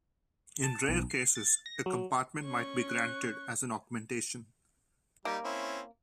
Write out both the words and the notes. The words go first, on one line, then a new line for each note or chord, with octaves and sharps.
In rare cases, a compartment might be granted as an augmentation.
A5
B1
C7
A6
A#6
F#3
C#4 C#6
F#6
G3 A#3 D#4
C4 C#4 E4